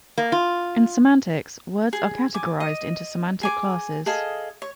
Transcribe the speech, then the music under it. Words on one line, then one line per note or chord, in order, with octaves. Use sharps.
In semantics, words are categorized into semantic classes.
A#3
F4
G#4
G#5 D6
D#5
G#4 G#5 D6
G#4 A4 D#5 F5
C#5